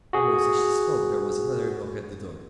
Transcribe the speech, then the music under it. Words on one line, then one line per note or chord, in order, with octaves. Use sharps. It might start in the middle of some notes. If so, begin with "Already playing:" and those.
Almost as she spoke, there was another knock at the door.
F#4 G#4